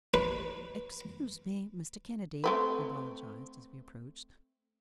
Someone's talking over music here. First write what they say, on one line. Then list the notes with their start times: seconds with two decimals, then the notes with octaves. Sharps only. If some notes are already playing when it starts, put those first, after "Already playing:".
"Excuse me, Mr. Kennedy," he apologized, as we approached.
0.14 B4
2.44 A3 C4 B4